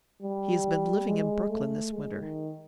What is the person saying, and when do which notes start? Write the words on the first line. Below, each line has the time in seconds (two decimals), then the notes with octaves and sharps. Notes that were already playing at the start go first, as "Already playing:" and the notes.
He has been living in Brooklyn this winter.
0.22 G3
1.08 G#3
1.50 A3
1.93 G#3
2.21 D#3